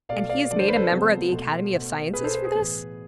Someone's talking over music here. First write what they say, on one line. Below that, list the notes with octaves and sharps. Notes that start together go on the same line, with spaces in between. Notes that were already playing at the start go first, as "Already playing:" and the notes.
"And he is made a member of the Academy of Sciences for this?"
B2 A3 D5 F5
D5 F5
D3 F3 A3 D5
C5
B4
A4 C5
C3 F3 G#3 B3
B2 A3
B2 A3
B2 B3 G#4 B4
A4 C5
A4 C5
G#4 B4
A2 E3 B3